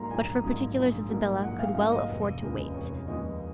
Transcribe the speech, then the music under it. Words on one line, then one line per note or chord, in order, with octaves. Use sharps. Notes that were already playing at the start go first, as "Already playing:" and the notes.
But for particulars Isabella could well afford to wait.
Already playing: A#1 G#2 F#3 A#3 A#5 C6
A#1 G#5
G#2 F#3 A#3
A#1
G#2 F#3 A#3
A#1 F#5
F5
G#2 F#3 A#3 F5
D#5
F1
D#2 C#3 F3 G#3
F1 C#5
D#2 C#3 F3 G#3 D#5